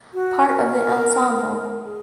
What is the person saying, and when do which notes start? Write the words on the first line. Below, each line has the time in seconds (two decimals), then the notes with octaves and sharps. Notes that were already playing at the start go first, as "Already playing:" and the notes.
Part of the ensemble.
0.14 F#4
0.48 A#4
1.84 G#4